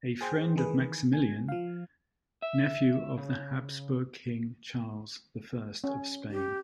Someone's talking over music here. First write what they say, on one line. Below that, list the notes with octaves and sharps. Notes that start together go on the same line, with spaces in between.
A friend of Maximilian, nephew of the Habsburg King Charles the First of Spain.
G#4 C5 G5
D#3 E3 G#4 B4
G#5
F3 F5
E5
C#3
C#4
G4